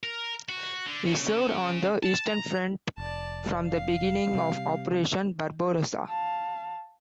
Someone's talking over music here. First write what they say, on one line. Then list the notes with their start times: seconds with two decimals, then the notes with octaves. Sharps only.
He served on the Eastern Front from the beginning of Operation Barbarossa.
0.04 A#4
0.49 F#4
0.86 D3
1.06 C#3
2.03 A5
2.27 A#5
2.98 F1 D5 A5
3.67 F5
4.33 C3 G3
6.08 F5 A5